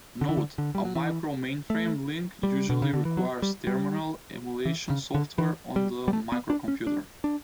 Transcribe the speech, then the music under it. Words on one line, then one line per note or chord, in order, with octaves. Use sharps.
"Note:" A micro-mainframe link usually requires terminal emulation software on the microcomputer.
D3
E3
D3
D3
G3
F#3
E3
A3
G3
B2
C#3
D3
E3
F#3
G3
G3
E3
C#3
D3
E3
G3
G3
A3
B3
D4
C#4
D4
D4